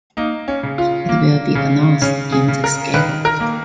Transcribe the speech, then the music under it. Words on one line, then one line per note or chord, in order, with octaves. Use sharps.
It will be announced in the schedule.
A#3 D#4
C#4
C#3
F4
A#3
C#3
C#3 C#4
G#4
C#3
A#4
D#3 B4
A#4
A#3